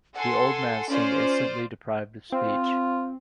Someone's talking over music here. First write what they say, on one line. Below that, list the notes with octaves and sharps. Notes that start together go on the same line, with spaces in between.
The old man seemed instantly deprived of speech.
A4 F#5 G#5 C6
C#4 F4 C5 D5
C4 F4